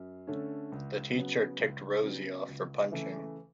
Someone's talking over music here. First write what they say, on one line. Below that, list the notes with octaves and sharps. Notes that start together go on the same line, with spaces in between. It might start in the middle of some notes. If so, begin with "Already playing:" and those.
The teacher ticked Rosie off for punching.
Already playing: F#2
D3 A3 C#4
C#2
C#3 F#3 B3
C#2
C#3 F#3 B3
C#2
C#3 E3 A3